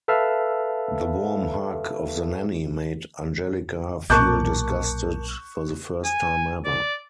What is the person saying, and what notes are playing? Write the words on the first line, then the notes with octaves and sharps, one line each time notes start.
The warm hug of the nanny made Angelika feel disgusted for the first time ever.
A4 B4 E5 F5 A5 F6
B1 A#2 A#4 A5 C#6 D6 F#6 G6
G#5
D5